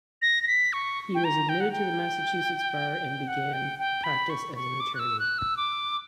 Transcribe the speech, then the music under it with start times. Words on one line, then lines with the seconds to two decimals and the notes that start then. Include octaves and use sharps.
He was admitted to the Massachusetts Bar and began practice as an attorney.
0.22 A#6
0.43 A#6
0.47 B6
0.73 C#6
1.15 G5
1.24 A#5
1.49 G5
1.60 F#5
1.72 G5
3.28 F#5
3.53 G5
3.79 G5
4.04 B5
4.30 C#6
4.56 C#6
4.80 D6
4.95 F#6
4.99 E6
5.19 F#6
5.38 E6
5.57 D6